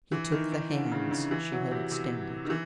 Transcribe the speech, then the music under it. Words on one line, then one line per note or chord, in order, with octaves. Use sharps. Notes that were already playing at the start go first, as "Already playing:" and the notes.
He took the hands she had extended.
E3
D#3
D#3
D3
C#3
C#3
E3
F#3
C3
C3
D#3
E3